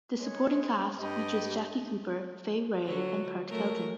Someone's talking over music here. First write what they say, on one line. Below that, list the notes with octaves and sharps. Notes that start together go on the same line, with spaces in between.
The supporting cast features Jackie Cooper, Fay Wray and Pert Kelton.
G#3 C#5
G2 G4 D#5
D3 F#3
F#3 A3 A#4